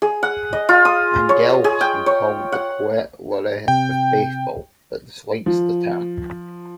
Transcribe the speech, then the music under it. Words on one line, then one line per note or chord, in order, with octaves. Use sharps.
Angell has been called the "Poet Laureate of baseball" but dislikes the term.
G#4
F#5
D#5
F4
D#6
C#5
G#4
G5
C#5
F#5
C3 G5
F3